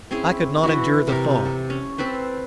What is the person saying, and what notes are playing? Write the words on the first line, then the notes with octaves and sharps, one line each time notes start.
I could not endure the thought.
C4 C#4 E4 G#4
E3 E4 F#4
C3 G4 A4 A#4
A4
C#4
C4 A4 B4 C5